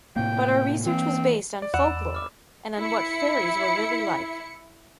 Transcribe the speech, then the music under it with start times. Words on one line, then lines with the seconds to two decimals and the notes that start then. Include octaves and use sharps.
But our research was based on folklore and on what faeries were really like.
0.16 A2 C3 A#3 G5
0.86 E3 A#3 C4
1.62 D5
1.74 E2 F#5 B5 E6 E7
2.15 D6 F6
2.78 E4 C#7